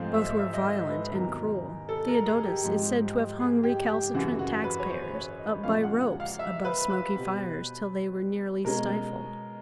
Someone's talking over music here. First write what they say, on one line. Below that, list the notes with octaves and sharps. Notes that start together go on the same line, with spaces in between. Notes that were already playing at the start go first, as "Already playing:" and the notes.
Both were violent and cruel: Theodotus is said to have hung recalcitrant tax-payers up by ropes above smoky fires till they were nearly stifled.
Already playing: G#2 F3 A3 C4 F5
E5
E5
D#5
E5
B4
E2 C3 D#3 F#3 A#4
A4
A#4
G#4
G4
G#2 F3 G#3 C4 G4
G#4
G4
G4
F#2 C#3 E3 G3 F#4
F#4
B4
C#5
C5
C#5
D#5
A#2 F3 G#3 C#4 F5
F#5
F#5
F5
E5
B4
B4
B2 G3 C4
B2 G#3 C#4 A#4